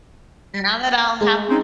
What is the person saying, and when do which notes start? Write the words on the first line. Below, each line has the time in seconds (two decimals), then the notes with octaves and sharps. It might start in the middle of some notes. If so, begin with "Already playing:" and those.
now that I'll have
1.21 G#3
1.49 C4 C#4 D#4